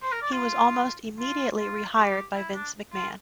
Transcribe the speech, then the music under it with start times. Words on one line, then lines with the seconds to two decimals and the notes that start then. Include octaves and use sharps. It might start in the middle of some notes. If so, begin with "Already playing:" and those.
He was almost immediately re-hired by Vince McMahon.
0.02 C5
0.12 A#4
0.22 D5
0.32 F4
1.19 F4
1.58 F4
1.96 G4
2.35 E4
2.54 D4
2.92 F4